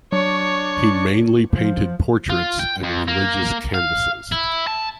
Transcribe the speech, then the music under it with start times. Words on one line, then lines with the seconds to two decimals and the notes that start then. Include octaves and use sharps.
He mainly painted portraits and religious canvases.
0.12 F#3 D4 C#5 C#6
1.52 F3
2.30 F4
2.59 G5
2.83 F2
3.08 A#3
3.74 F5
4.32 E4
4.67 A5